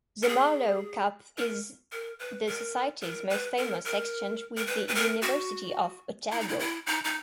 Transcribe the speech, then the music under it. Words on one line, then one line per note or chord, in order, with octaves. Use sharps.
The Marlowe Cup is the societies most famous exchange with the University of Otago.
A#4
G#4
A#4
A#4
B4
A#4
A#4
B4
A#4
A#4
A#4
B4
B4
A#4
F#4
E4
D#4
E4
E4
D#4
D#4